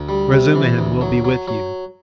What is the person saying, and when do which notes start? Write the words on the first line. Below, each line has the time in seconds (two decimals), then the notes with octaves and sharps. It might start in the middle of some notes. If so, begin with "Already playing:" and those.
Razumihin will be with you.
Already playing: D2
0.09 G3
0.32 C3
0.55 E3
0.79 D2
1.01 F#3
1.25 F#3
1.48 F#3